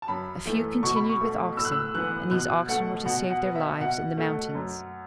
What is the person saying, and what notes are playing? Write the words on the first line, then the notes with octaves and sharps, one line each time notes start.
A few continued with oxen, and these oxen were to save their lives in the mountains.
A5
F#2 B5
E3 A3
B2 C#6
B5
C#6
A3
A2 E6
F#6
E6
E3 B3 F#6
B2 F#6
A3 F#5
B2 F#5
F#5
B3
E5
B2 F#5
A3
F#2